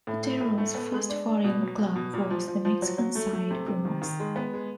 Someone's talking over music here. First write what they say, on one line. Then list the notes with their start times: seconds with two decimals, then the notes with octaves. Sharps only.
Botero's first foreign club was the Mexican side Pumas.
0.07 A2
0.24 A2
0.41 A2
0.58 A3
0.75 B3
0.92 G#3
1.09 D4
1.26 D4
1.44 B2
1.62 F#3
1.78 B2
1.96 B2
2.13 A#2
2.30 F3
2.48 F3
2.65 F3
2.82 F#3
2.98 F#3
3.15 A3
3.33 A3
3.51 C3
3.68 C3
3.85 D#3
4.02 D#3
4.20 G#3
4.36 B3
4.54 G#3